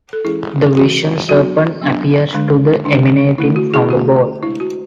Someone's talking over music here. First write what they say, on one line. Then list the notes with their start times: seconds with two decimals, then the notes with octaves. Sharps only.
The Vision Serpent appears to be emanating from the bowl.
0.13 A4
0.24 E3 G#3 C#4 E4 G#4
0.67 G#4
0.77 E3 G#3 C#4 F#4
1.28 F#3 B3 D4 F#4
1.81 F#3 B3 D4
2.34 D3 G#3 D4
2.85 D3 G#3 D4
3.38 D3 A3 C#4 E4
3.56 F#4
3.74 E4 G#4
3.90 D3 A3 C#4 F#4
4.43 G#3 D4 E4
4.60 F#4